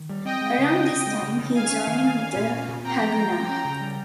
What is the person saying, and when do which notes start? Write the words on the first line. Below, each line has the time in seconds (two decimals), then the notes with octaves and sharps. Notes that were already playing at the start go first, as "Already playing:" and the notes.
Around this time, he joined the Haganah.
Already playing: D#3
0.09 G3
0.25 C4 D#5 G5
0.41 G#3
0.58 C#3
0.73 C4
0.90 C#3
1.06 G#3
1.22 C#3
1.38 C#3
1.55 D#3 F5 G#5
1.70 C#4
1.87 D#3
2.03 D#3
2.19 C#4
2.36 A#2
2.52 C#4
2.68 A#2
2.84 C4 G5 A#5
3.00 F3
3.16 F3
3.32 F3
3.49 C#4
3.64 C#3
3.81 G3